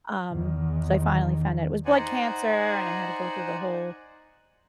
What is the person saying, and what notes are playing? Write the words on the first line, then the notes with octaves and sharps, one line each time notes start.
um, so I finally found out it was blood cancer and I had to go through the whole
E2 D#3
D#4 C5 D5 F#5 G#5